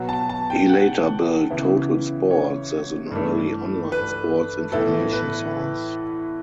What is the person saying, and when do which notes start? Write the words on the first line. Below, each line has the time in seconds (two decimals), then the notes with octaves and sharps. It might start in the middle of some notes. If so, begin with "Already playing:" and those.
He later built Total Sports as an early online sports information source.
Already playing: B2 F#3 B3
0.09 A5
0.29 A5
0.50 G5
0.69 F#5
1.50 C#3 E3 B3 E4
2.31 C#5
3.11 G2 E3 A3
3.92 B4
4.72 A2 E3 B3 E4 A4
5.13 B4